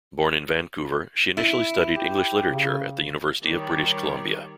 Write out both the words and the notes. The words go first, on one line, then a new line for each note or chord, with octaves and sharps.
Born in Vancouver, she initially studied English literature at the University of British Columbia.
E4
G4
C#3
D#3 G3 G4 C#5 D5